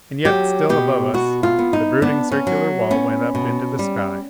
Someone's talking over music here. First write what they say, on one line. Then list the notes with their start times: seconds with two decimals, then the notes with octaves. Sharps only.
And yet still above us the brooding circular wall went up into the sky.
0.25 F#3 G4
0.69 B2 G4
1.14 B2 F#4
1.43 F4
1.59 B3
1.73 D#4
2.02 B3 D4
2.32 C#4
2.47 F#3
2.90 B3 C#4
3.35 B2
3.79 G3